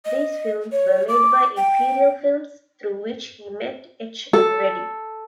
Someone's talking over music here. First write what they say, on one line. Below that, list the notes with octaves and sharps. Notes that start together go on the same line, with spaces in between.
These films were made by Imperial Films, through which he met H. M. Reddy.
D#5
C#5
D6
G5
A4